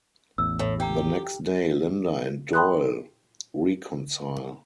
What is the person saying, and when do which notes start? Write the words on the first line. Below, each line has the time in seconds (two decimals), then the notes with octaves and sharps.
The next day, Linda and Doyle reconcile.
0.38 A1 E2 E6
0.59 A2
0.80 G4 D5 G5 A#5
2.53 G5 A5 B5 C6 D#6 F#6